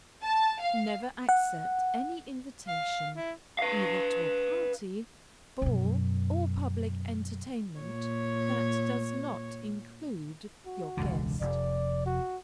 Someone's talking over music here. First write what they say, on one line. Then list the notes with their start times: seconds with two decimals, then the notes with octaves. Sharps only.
Never accept any invitation, either to a party, ball, or public entertainment, that does not include your guest.
0.22 A5
0.60 F5
1.29 F#5
2.68 F5
3.16 E4
3.59 B4 F5
5.62 F#2 B2
7.80 A#2 C#5
10.66 F#4
10.97 E1 C#2 D3
11.41 F1 D5
12.06 F#4